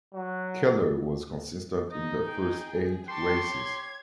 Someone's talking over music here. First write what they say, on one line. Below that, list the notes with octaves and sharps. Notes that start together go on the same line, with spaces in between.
Keller was consistent in the first eight races.
F#3
D#4 D#5
G#4 G5
G4 G5 A5 C6 C#6
C#5 G#6